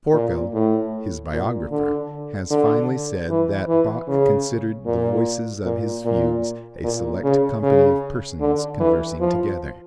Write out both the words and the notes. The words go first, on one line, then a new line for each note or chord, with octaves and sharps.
Forkel, his biographer, has finely said that Bach considered the voices of his fugues a select company of persons conversing together.
A#2
A2
A#2
D3
D3
E3
E3
C#3
A#2
A#2
A#2
A#2
C#3
C#3
D3
E3
F3